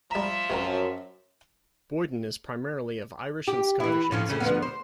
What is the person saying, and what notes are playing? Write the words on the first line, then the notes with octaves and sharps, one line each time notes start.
Boyden is primarily of Irish and Scottish ancestry.
F3 G3 E5 A#5
F#2 C3 C4 A#4
G4
E3 E4
A2 F3 C#4
F2 C#3 A3
D2 F3 B3
C5